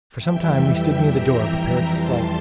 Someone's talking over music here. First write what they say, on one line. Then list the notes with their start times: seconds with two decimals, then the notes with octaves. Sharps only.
For some time we stood near the door, prepared for flight.
0.16 F2 E3 G3 E5 G5
1.04 G5 A#5
1.90 F2 E3 G3 A5 C6